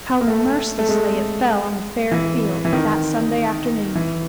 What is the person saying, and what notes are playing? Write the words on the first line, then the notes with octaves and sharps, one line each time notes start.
How mercilessly it fell on the Fair-field that Sunday afternoon!
A#3
A3
A3
G#3
E3
E3
D#3
E3